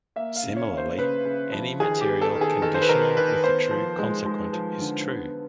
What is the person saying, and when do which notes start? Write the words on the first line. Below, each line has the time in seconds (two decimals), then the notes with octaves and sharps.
Similarly, any material conditional with a true consequent is true.
0.16 A#3 E5
0.36 F5
0.43 C#3
0.57 C#5
0.71 A#3
0.78 C5
0.98 C#3 B4
1.25 C#3
1.52 F3
1.80 D#3 G#4
2.01 G4
2.07 B3
2.22 A4
2.35 D#3
2.41 G#4
2.62 D#3 A4
2.74 C5
2.82 B4
2.89 D#3 A#4
3.17 D#3 B4
3.44 B3 C5
3.71 F3
3.99 G#3
4.26 G#3
4.53 F3
4.80 D3
5.08 B3